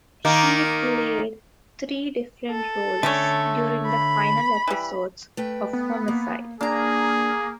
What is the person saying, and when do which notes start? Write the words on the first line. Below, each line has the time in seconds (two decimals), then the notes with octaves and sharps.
She played three different roles during the final episodes of "Homicide".
0.25 D#3 A#3
2.51 A4
3.03 D3 A3 C#4 D4 C#5
3.86 B5
4.68 E3 G3
5.37 A3 B4 G5
5.73 B3
6.08 A#3
6.61 A#3 D4 G#4 A#5